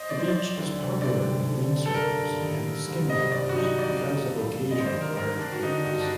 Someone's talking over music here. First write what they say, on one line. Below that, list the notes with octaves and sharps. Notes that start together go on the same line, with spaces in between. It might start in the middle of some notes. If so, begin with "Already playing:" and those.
The beach is popular with windsurfers and skimboarders because of occasional large waves.
Already playing: C5 D#5
F#3 D5
C5
D5
F#3
D2
C3
D2 D5
C3
D3
D3
A4
A#3 A#4
G2
D#3
A4
C2
C3 D#5
G2 D5
F#4
F#3 D#4
A#3 D5
A#3
A3
G2
D2 D#5
C5
D5
D#3
A#4
D#3 A#4
C4 D4
F#4
D3 D#4
G2 F#4
D4